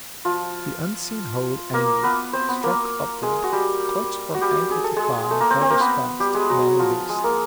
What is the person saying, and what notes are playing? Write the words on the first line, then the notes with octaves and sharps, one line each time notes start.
The unseen hold angled; struck upward; clutched from ankle to thigh; held us fast--men and beast.
F3 F4
A#3 A#4
B3 B4
C4 C5
B3 B4
A#3 A#4
G#3 G#4
F#4
G3 G4
F#4
G3 G4
G#4
A4
G#3 G#4
A3 A4
A#3 A#4
C4 C5
C4 C5
A#3 A#4
B3 B4
G3 G4
G#3 G#4
F#3 F#4
F3 F4
G#3 G#4
A#3 A#4